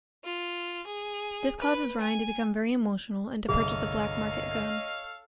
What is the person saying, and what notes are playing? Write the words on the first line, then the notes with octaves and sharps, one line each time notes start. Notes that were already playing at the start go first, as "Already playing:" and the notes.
This causes Ryan to become very emotional, and to purchase a black market gun.
F4
G#4
B4
G#5
G1 C2 G#4 A4 C#5 D#5 F5